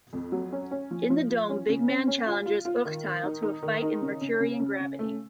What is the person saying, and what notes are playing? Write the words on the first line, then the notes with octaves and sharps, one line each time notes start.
In the Dome, Bigman challenges Urteil to a fight in Mercurian gravity.
F2
F#3
C#4
C#4
F3
F3
F3
C#4
C#3
C#4
C#4
F4
F4
F4
D#3
D#3
D#4
D#4
D#3
D#4
C#3
C#3
C#3
C#3
C#3
A3